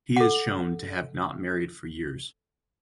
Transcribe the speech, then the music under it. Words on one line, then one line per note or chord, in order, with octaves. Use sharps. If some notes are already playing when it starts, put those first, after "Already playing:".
He is shown to have not married for years.
A4 F#5